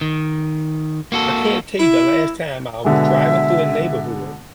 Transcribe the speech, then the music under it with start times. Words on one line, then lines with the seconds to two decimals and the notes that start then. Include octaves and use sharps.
I can't tell you the last time I was driving through a neighborhood,
0.01 D#3
1.12 A#3 F#4 A4
1.79 E4
2.84 B2 D3 G#3 E5